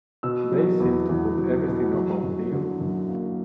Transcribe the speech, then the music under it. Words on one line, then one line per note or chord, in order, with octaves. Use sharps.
They seem to put everything upon Bill!
B2 E6
F#3
E2
E2
F#3
B2
F#3
F#2
D3
F#2
A#3